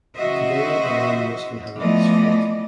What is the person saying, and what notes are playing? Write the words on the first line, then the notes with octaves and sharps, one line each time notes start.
Today the line mostly handles freight.
C#3 E3 F#4 C5 D#5 E5
E3 F3 A3 B3 D5 D#5